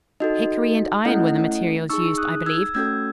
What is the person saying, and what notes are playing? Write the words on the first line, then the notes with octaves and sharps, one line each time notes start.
Hickory and iron were the materials used, I believe.
D#4 F#4 A4 D#5
A3 C#4 E4 A4 D#5 F#5
D#4 G#4 C#6 E6
D#6 F#6
E6 G#6
A3 C#4 F#4 A4 E6 G#6